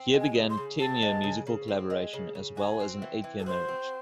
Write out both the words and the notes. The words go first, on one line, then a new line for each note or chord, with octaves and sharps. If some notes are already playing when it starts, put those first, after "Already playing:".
Here began a ten-year musical collaboration as well as an eight-year marriage.
Already playing: C4
G#3
G#5
C#3
C6
C#3
C4 A5
G#3
C#3
C#3
C4
G#3
C#3
C#3
F#4 G#5
C4
E3
E3
A4
F#4 C5
C4